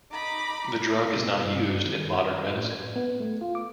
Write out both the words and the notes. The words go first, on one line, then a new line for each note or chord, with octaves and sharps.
The drug is not used in modern medicine.
D#4 A#5 B5 D6
B2
G2
D#3
A2
G#6
B3
A3
F4
D6